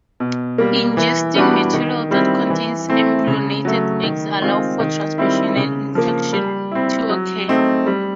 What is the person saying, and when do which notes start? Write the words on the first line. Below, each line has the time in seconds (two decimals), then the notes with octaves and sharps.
Ingesting material that contains embryonated eggs allows for transmission and infection to occur.
0.20 B2
0.58 G3 A#3
0.97 E3
1.35 G3 B3 D4 F#4
1.73 D#3
2.11 G3 C4 E4
2.50 E3
2.89 A3 C4 E4
3.27 C#3
3.65 F#3 A3
4.03 D#3
4.42 G#3 C4 F4
4.80 D#3
5.18 G3 C4 E4
5.56 C#3
5.95 F3 A#3
6.33 G3
6.71 C4 E4
7.09 F#3
7.48 A3 C4 D#4
7.86 G3